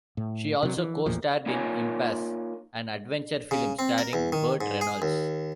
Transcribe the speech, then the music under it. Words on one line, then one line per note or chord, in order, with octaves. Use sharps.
She also co-starred in "Impasse", an adventure film starring Burt Reynolds.
A2
C3 F#3
E3
A1 E2 A#2 F3
A#3 D#4 F4 A#4 C#5 G#5
C#3
C4
A#4
E2
D#3
G#2
G#4
D#2